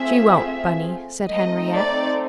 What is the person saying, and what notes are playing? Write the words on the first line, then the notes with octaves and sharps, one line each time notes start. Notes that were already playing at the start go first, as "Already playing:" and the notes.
"She won't, Bunny," said Henriette.
Already playing: A3 C4 F4 G#4 E5
A3 C4 D#4 D#5
D5